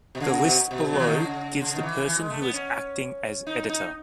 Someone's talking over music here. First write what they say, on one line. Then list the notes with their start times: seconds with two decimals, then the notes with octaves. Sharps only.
The list below gives the person who was acting as editor.
0.15 B2
0.20 C#3
0.44 B2
0.71 B2
0.93 F#3
0.99 E3
1.06 D#3
1.14 C#3
1.61 C#3
1.75 D#3
1.83 E3
2.07 E3
2.19 G#3
2.30 A3
2.42 B3
2.53 C#4
3.47 D#4
3.69 D#4